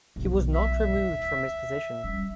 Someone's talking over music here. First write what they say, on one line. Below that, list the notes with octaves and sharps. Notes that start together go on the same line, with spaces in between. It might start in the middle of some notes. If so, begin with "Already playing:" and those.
He was not removed from his position.
B1 F3
E5
D#2
D#3
G3 C#4